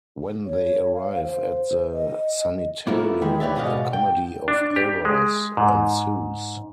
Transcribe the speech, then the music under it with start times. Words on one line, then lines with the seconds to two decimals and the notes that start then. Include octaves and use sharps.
When they arrive at the sanitarium, a comedy of errors ensues.
0.46 C#5
0.93 F5
1.24 C5
1.93 D#5
2.87 A#3 B3 E4 F4 A4
3.21 D#3 G#3 D#4 E4
3.40 G4 B4 C#5 D5 E5
3.55 G#2 B2 F#4 D5 D#5 F5
3.93 G5
4.48 D4
4.76 G4
5.05 G#3
5.57 G#2